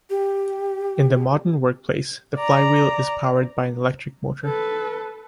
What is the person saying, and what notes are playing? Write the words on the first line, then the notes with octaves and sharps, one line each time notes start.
In the modern workplace, the flywheel is powered by an electric motor.
G4
D5 A#5
A4 B4